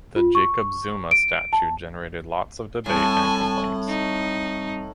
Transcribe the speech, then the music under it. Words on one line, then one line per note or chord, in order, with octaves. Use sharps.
The Jacob Zuma statue generated lots of debate and complaints.
F4
C#6
D7
A5
A2 G3 C4 G#5 A5
D#4